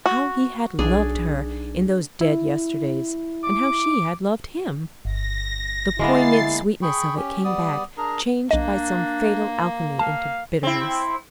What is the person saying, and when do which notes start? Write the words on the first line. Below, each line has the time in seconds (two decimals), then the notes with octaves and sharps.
How he had loved her, in those dead yesterdays, and how she had loved him! The poignant sweetness of it came back, changed by some fatal alchemy into bitterness.
0.06 F#4
0.79 B1 D4 G#4
2.21 E4
3.43 D6
5.05 G1 A#6
5.99 D3 G#3 A#3 B3 E4 A6 C7
6.82 G#4 G5 B5 C#6
7.16 C#4 G4
7.44 G3 B3 D5 D#6
7.97 D4 G#4 A#4 A#5
8.51 B1 A#3 D4 D#5
9.99 F5 A5
10.63 C4 E4